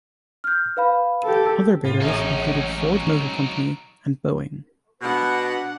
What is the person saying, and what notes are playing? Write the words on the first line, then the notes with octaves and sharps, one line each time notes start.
Other bidders included Ford Motor Company and Boeing.
F6 G6
B4 F5 B5
G4 A4
A2 F4
A1 B2 F#3 G#3 C#4 D#4
B2 D4 F#5